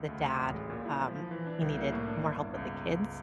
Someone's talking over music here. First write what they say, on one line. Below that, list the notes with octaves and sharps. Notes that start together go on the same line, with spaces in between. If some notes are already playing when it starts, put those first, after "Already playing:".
the dad, um, he needed more help with the kids.
Already playing: C#2
D2
D2
A1
G#3
A#2
E4
F3
F3
E3
D4
C2
A#3
A2
D4
G1
G1
C#2